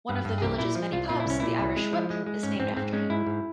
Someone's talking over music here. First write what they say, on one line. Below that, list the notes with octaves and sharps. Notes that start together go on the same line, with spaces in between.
One of the village's many pubs, "The Irish Whip", is named after him.
G2
G2
G#4
C2 G4
A#2 E4
F3
C2 F4
A#2 F4
E4
C2 C#4
A#2 E4
C2
G#3
F3
G#3
G#3
G#2 C#4
G#2 C4
G#2 C4
G#3 C#4
G#2 E4
G#2